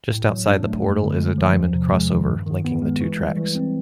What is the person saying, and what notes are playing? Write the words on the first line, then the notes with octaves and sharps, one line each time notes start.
Just outside the portal is a diamond crossover linking the two tracks.
A2
F#3
D4
A3
F#2
D3
G#3
F3
E2
C3
G#3
D#3
G2
D#3
B3
G#3
E3
G3
E3
C4